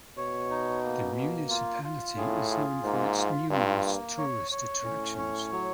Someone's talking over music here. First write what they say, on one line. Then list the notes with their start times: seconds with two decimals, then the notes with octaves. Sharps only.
The municipality is known for its numerous tourist attractions.
0.17 B2 C#5
0.50 D#4
0.84 A#3
1.17 A#3
1.50 F4
1.84 F4
2.17 A2 G#4
2.51 F4
2.84 G#2 A#3
3.17 F4
3.50 G2 F4
3.85 A#3
4.18 C#5
4.51 C#5
4.84 A2 C#4
5.18 C#5
5.52 F#3